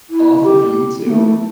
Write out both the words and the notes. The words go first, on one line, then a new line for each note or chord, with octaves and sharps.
off of YouTube,
E4
G4
B3
A3